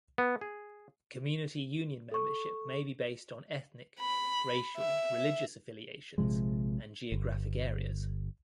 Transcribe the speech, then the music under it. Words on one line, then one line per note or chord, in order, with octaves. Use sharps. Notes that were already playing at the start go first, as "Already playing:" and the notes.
Community union membership may be based on ethnic, racial, religious affiliations and geographic areas.
B3
G#4
A4 C#6
B5
E5
A#1 C3 F3 G#3
G1